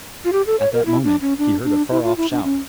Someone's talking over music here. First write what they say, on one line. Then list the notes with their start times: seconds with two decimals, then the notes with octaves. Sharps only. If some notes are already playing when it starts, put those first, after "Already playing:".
At that moment, he heard a far-off shout.
0.25 F4
0.33 G4
0.47 A4
0.60 C#5
0.73 A#4
0.86 E4
1.04 D4
1.21 C#4
1.38 D4
1.64 D4
1.91 E4
2.04 F4
2.17 E4
2.31 D4
2.44 C#4